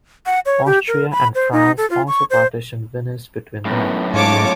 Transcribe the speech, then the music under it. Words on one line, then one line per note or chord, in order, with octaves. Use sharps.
Austria and France also partitioned Venice between them.
F#5
C#5
G4
A#4
B5
C5
D#4
A4
F4
C#6
C5
F#2 A2 B3
G#2 F4 C#5 A5 D6